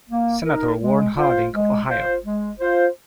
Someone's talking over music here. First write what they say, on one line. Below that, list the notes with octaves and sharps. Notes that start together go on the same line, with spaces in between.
Senator Warren Harding of Ohio.
A#3
D#4 A#4
G#3
F4 C5
G#3
F4 C5
G#3
F4 C5